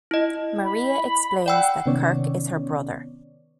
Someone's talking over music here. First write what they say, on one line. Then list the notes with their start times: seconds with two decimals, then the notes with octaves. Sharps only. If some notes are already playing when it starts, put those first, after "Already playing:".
Maria explains that Kirk is her brother.
0.11 E4 D#5
0.65 B5
1.46 D5 F#5 G5 E6
1.86 C3 D#3 B3 C#4 C#5 D5